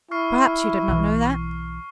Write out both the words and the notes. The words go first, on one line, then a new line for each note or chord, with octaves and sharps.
Perhaps you did not know that?
E4 C#6 F6 C7
B1 E3